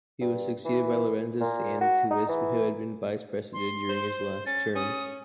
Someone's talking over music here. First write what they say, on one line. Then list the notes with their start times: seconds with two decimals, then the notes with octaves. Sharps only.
He was succeeded by Lorenzo Sanz, who had been vice-president during his last term.
0.21 G2
0.65 E3
1.41 A#2
1.81 F#4
2.11 D#4
2.29 E3
3.53 C6
3.89 C5
4.46 C#4 A6
4.75 C#4 D#6